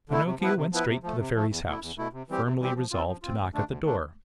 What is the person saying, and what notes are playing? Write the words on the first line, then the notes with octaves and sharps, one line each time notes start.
Pinocchio went straight to the Fairy's house, firmly resolved to knock at the door.
D3 A3 E4
C3
F3 B3 E4 B4
C3
F3 B3 E4 B4
C3
F3 A3
C3
F3 A3
E2
B2 A3 E4
E2
B2 A3 E4
C3
E3 G3 C4 G4
C3
E3 G3 C4 G4
F3
C4 F4
F3
C4 F4
D2
D3 A3 D4
D2
D3 A3 D4